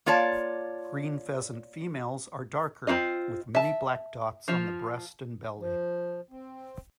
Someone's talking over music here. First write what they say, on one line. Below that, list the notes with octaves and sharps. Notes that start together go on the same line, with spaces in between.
Green pheasant females are darker, with many black dots on the breast and belly.
A#3 F4 C#5 D5 A5
C4 E4 F4 D#5
E5 A5
F3 F4
F3
C4